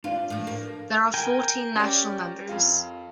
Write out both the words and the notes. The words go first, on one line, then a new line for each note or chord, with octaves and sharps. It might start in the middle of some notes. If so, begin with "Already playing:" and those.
There are fourteen National Members.
D4 F4 B4 D5
A2 F3
A#3
A#4 G5 G#5
C#4 G4 D5
F2 F4